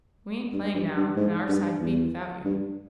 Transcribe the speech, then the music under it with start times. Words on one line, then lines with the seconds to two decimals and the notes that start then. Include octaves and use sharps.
"We ain't playing now, and our side beat without you."
0.53 G2
0.74 G2
0.96 G2
1.17 G#2
1.49 G2
1.81 E2
2.45 G2